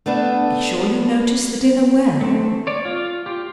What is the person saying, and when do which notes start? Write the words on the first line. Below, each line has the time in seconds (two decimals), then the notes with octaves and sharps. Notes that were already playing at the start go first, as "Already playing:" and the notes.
Be sure you notice the dinner well.
0.06 A3 B3 D4 A4
2.21 A3 C4
2.67 C#5 D5
2.85 F4
3.26 F4 G4